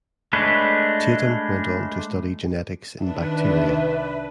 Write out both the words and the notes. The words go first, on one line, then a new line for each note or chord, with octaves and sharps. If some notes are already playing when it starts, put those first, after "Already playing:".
Tatum went on to study genetics in bacteria.
G#3 A3 D4 B4 C#5
C2 D#3 D4 B4 E5